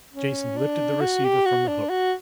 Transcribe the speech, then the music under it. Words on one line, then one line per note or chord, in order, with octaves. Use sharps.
Jason lifted the receiver from the hook.
C#4
D4
F#4
G4
F#4
D4
F#4